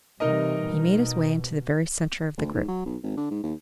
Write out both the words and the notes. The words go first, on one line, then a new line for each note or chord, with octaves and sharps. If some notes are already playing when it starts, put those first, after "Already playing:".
He made his way into the very centre of the group.
C3 E3 G3 D#4 A#4 D#5
B2
D2
G#2
F#3
B1
G#1
D3
G#2
D#2